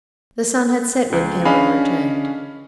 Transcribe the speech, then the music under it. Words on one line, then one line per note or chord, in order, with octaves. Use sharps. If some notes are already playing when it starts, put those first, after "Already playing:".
The sun had set when Cameron returned.
C#2
C#4 D4 G#4 D#5 F5 B5